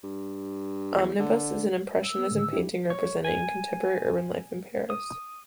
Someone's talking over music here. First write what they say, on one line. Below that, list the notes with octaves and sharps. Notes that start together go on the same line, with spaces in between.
Omnibus is an Impressionism painting representing contemporary urban life in Paris.
G2
E2
D3
E6
B3
A2 D3 D#3
D4 E4 G4
C#5
G#5
D#6